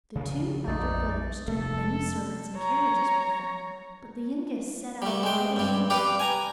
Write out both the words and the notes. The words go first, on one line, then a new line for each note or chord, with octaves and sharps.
The two elder brothers took many servants and carriages with them, but the youngest set out quite alone.
C#3 F3 F#3
A#1 F2 D#4 D5
F1 A3 A4
C#5 A#5
G3 A3
G#3 G5
G2 G3
G4 B4 D5 F5
G#5 A#5